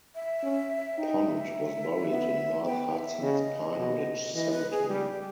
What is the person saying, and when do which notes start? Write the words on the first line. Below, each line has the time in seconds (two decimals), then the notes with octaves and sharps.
Pond was buried in North Hudson's Pine Ridge Cemetery.
0.15 E5
0.43 C#4
0.98 D#4 G5
1.26 E5
2.10 B3 E5
2.66 B3 G5
2.94 G5
2.97 E5
3.22 C#3 D#5
3.78 B2
4.34 E3 D#5
4.51 B4
4.71 G#4
4.88 G3 G4